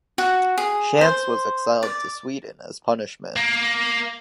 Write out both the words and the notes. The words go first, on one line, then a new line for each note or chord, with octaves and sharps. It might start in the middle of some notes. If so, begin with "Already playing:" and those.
Schantz was exiled to Sweden as punishment.
F#4
G#4
C5
D5
A#3